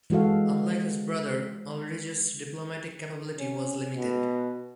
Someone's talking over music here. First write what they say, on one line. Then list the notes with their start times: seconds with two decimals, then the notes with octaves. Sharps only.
Unlike his brother, Ulrich's diplomatic capability was limited.
0.10 E3 G#3 F#4 A4 F5
3.38 C#4
3.97 B2